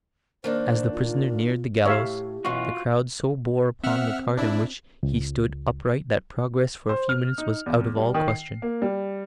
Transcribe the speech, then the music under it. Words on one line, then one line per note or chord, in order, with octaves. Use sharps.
As the prisoner neared the gallows, the crowd so bore upon the cart in which he stood upright that progress for a few minutes was out of all question.
D#3 A#3 D4 C5
F4
A2 G4 C#5 E5 F5
F#2 B2 E3 F4 F#4
C4 E5 F#5 F6
D4 E4
C#2
C5
F6
D#4
E2
G3
D#3
C7
A#3
G3